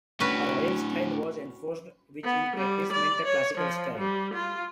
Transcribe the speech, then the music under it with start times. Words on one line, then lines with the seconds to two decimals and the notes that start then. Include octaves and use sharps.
A "royal style" was enforced which in practice meant a classical style.
0.20 A2 C#4 D4 F#4 B4
2.24 B3
2.57 G3
2.93 D5
3.25 C#5
3.58 F3
3.98 G3
4.34 F4